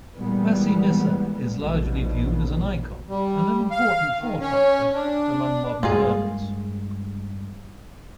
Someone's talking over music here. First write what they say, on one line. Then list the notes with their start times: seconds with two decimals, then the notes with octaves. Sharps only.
Masinissa is largely viewed as an icon and an important forefather among modern Berbers.
0.16 A#2 E3 G3 G#3 A#3 B3
1.55 A#1 D#2 B2 F3
3.09 G3
3.71 F5
4.18 D#3
4.40 C#4
4.94 D4
5.83 G2 G#3 A#3 F4 G#4